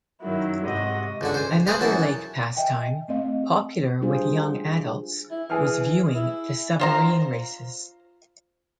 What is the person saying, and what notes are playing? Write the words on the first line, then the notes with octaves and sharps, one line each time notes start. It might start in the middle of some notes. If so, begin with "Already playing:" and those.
Another Lake pastime popular with young adults was viewing The Submarine Races.
F#2 D#3 F#3 E4
G#2 C3 F#4 D#5
C#2 D3 F#4
C5 G#5
G#4 B4 C5 D#5 F5
F#2 E3 F#4 A5
D#5 E5 G5 G#5
A3 C4 D#5 F5
G3 D4 F4 G#4 C5
E4
E3 G#4 F6
E4
F4 C5 A#5